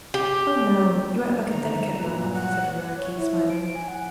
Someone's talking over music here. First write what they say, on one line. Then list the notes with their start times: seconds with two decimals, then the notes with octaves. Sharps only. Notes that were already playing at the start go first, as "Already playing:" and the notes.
"Oh, no; you act like a delicate man," said the marquise, smiling.
0.14 G4
1.48 D3 D#3 F3 D#4 A#5
1.99 G2 A#2 F#3 B4
2.33 F#5
2.95 C#5
3.16 E4
3.50 D7
3.75 G#5
3.88 F#5